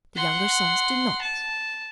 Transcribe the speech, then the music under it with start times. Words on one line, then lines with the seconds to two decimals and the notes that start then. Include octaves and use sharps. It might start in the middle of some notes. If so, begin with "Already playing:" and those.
The younger sons do not.
0.17 F#5 C6
1.22 A5